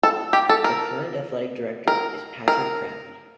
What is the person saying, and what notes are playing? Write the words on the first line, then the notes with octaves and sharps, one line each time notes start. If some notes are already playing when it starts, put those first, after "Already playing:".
The current athletic director is Patrick Kraft.
A4
G4
A4
A#4
A#4
A#4